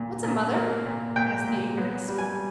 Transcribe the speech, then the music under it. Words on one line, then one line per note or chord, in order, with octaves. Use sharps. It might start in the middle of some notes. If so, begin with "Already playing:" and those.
"What's a mother?" asked the ignorant Smee.
Already playing: A#2
A#2
A#3
A#2
A#2 G5
A#2
B3
G3
G#5